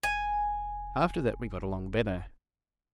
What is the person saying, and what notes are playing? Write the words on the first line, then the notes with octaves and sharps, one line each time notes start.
After that we got along better.
F1 G#5